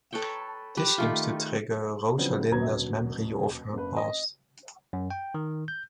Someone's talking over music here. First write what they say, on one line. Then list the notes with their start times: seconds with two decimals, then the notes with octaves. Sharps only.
This seems to trigger Rosalinda's memory of her past.
0.13 A4 B4 C#5 G5
0.77 G4 B4
0.98 D#3 A3 F4
2.18 C#3 F3 F#3 B3 C4 D4
2.51 D#1 D2 B2 F#3 A#5 G#6
3.73 F#1 B4
3.96 D#5
4.93 F#2
5.10 G5
5.34 D#3
5.68 G6